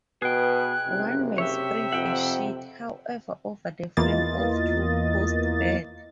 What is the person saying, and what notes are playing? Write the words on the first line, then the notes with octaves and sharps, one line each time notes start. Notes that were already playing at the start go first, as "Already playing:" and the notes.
One may spread a sheet, however, over the frame of a two-post bed.
B2 G#4 B4 G5 F#6
F#1 C3
G4 C#5 E5
F2 F#5 G5
E2 E3 A#3 F4 D#5 A6